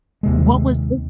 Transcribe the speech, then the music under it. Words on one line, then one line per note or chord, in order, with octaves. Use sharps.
what was the
D#2 C3 G#3